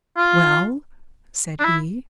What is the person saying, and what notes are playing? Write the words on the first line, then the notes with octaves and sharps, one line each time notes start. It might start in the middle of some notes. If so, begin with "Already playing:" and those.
"Well?" said he.
F4
D4
E4